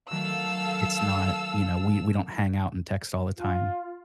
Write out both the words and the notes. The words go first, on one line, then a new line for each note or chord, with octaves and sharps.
it's not, you know we we don't hang out and text all the time.
D#3 F#3 A3 A4 F5 E6
F4